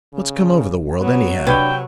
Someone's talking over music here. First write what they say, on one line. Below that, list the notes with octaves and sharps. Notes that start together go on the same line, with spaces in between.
What's come over the world anyhow?
C#3
F#3 B3
C3 D4 B4 C#5 G5